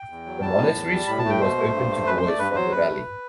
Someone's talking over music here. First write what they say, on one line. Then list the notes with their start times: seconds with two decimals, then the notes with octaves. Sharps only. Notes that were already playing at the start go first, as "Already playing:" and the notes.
The monastery school was open to boys from the valley.
Already playing: G5
0.10 E2
0.26 F#3
0.42 G3 A5
0.58 A2
0.75 E2
0.91 G3
1.07 A2 B5
1.19 A5
1.24 A3
1.30 G5
1.41 B2 C5
1.57 A3
1.73 G2
1.90 A3
2.06 F#2 B4
2.17 C5
2.23 A3 D5
2.39 G2 B4
2.55 F#3 C5
2.72 F#2 B4
2.88 A3